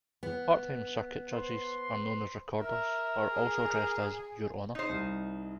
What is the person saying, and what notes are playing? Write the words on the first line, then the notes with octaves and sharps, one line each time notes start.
Part-time circuit judges are known as Recorders but are also addressed as "Your Honour".
B3
B4 C5 C6
A#4 E5
G#4
D#4 C5
C2